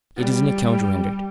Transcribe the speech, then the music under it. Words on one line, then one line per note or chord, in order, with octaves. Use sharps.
It is an account rendered.
G3